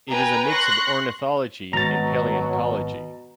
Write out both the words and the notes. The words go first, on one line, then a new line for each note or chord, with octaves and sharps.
It is a mix of ornithology and paleontology.
B4 G5 G#5 A#5
C6 C#6 F#6 A#6
G#1 B2 F#3 A#5 A6